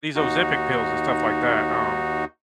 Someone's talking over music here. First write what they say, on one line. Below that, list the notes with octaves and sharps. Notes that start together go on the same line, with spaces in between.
these Ozempic pills and stuff like that, um
D#2 D#4 F#4